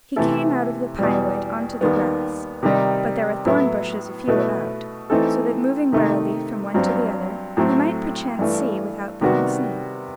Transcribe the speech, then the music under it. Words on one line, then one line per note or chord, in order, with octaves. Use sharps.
He came out of the pinewood on to the grass; but there were thornbushes a few about, so that moving warily from one to the other, he might perchance see without being seen.
C3 E3 A3 E4 A4
E2 B2 G3
D#2 D#3 G3 B3
C3 D#3 G3 D#4
A2 F#3 B3 E4
B2 A3 E4 B4
E3 A3 C4 D#4 A4
C3 D#3 A3 D#4
G2 F#3 C4
A2 F#3 A3 C4
G2 E3 A3
C3 D#3 G3 B3 F#4